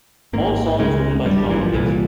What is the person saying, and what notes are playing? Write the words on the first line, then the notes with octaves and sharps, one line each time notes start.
All songs written by Sean Dickson.
G#1 G#2 A#3
C#2 C#3 G#3
G#1 G2 G3
G3
E3
F3
C2 A#2 E3